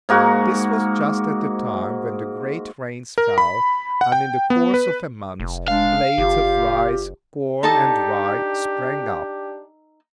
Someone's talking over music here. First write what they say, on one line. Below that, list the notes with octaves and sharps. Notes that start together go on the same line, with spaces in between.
This was just at the time when the great rains fell, and in the course of a month, blades of rice, corn, and rye, sprang up.
G#2 A#3 F#4
A#4
B5
F#5
G5
B3
B4
F1
G#3 D4 F5
F#1 F4 G4
D4 D#4 G4 A4 A5